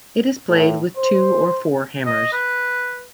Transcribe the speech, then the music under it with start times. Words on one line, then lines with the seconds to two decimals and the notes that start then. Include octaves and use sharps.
It is played with two or four hammers.
0.49 A2
0.96 C5
2.06 D#5
2.33 B4